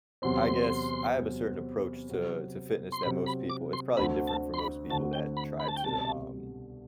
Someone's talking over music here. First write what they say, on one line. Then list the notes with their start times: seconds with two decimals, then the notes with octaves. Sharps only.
I guess I have a certain approach to to fitness that most people it's probably different from most people that try to, um
0.22 E2 C3 F#3 C4 C6
1.16 E2 C3 F#3 C4
2.09 C3 F#3 C4
2.92 C6
3.03 C3 F#3 C4 B5
3.26 B5
3.50 D6
3.73 C6
3.96 D2 D3 A3 C4 F#4 B5
4.27 A5
4.54 C6
4.58 B5
4.90 D2 D3 A3 C4 F#4 A5
5.13 G5
5.37 B5
5.60 B5
5.69 A5
5.76 G5
5.83 C2 B2 G3 A5